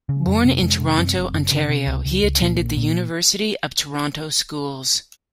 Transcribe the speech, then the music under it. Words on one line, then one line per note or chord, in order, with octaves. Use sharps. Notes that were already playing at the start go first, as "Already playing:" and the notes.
Born in Toronto, Ontario, he attended the University of Toronto Schools.
C#3
F2 F#3
C3
F2 G#3
C3
F#2 C4
F#1
F#1
C#3
C3
C#2
C#2
C#2
A#2
A#1
A#2